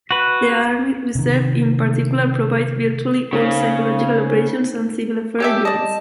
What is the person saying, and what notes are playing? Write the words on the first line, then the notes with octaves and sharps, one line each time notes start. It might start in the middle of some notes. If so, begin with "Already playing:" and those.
The Army Reserve in particular provides virtually all psychological operations and civil affairs units.
F#4 B4
C3 D#3
C#3 A#3 D#4 C5
C#4 G4 A4 E5 G5
D5 D#5 A5